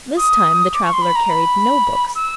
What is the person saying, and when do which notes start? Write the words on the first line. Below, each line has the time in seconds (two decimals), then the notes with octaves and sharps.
This time the traveller carried no books.
0.17 D#6
0.74 D6
0.83 C#6
0.93 C6
1.01 B5
1.15 A#5
1.30 B5
2.15 E6